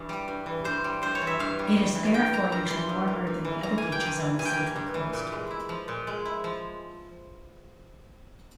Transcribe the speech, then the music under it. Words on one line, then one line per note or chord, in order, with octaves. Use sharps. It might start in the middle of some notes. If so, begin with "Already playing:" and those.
It is therefore usually warmer than the other beaches on the Central Coast.
Already playing: G2 E3
G3
G2
E3
G2 C5
G3
G2 C5
C#5
E3
E5
G2 F5
G3
G2
E3
G2 G5
A#3 A#5
G2 A#5
E3 C6
G2
A#3
G2
E3
G2 A#5
A#3 G#5
G5
G2 G#5
E3
G2 G#5
G5
A#3 G#5
G2
E3
A#2
G#3
E4
F3
A#2
G#3
E4
F3